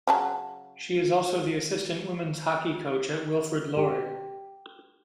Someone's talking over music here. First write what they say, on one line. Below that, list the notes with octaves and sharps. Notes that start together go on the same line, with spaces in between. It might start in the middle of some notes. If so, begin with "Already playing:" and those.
She is also the Assistant Women's hockey coach at Wilfrid Laurier.
C#3 F#3 A5
G4